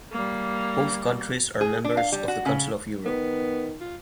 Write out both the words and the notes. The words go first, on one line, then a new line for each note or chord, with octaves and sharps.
Both countries are members of the Council of Europe.
G3 A#3
G#4
D4
F5
G3
F#4
C#3
D#3 B3
F4